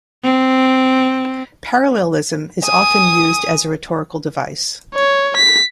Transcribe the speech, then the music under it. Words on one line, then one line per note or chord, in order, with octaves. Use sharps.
Parallelism is often used as a rhetorical device.
C4
G#5 D#6
C#5
B6